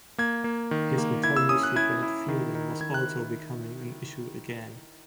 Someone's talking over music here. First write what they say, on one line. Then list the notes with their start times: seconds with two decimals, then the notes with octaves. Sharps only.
His notoriously bad fielding was also becoming an issue again.
0.18 A#3 G#6
0.44 A#3
0.71 D#3
0.98 A#3
1.24 E4 G#6
1.36 E6
1.49 C#4 D#6
1.63 F#6
1.76 E4 G#6
2.03 E4
2.28 D#3
2.55 D#3
2.81 D#3 G#6
2.94 F#6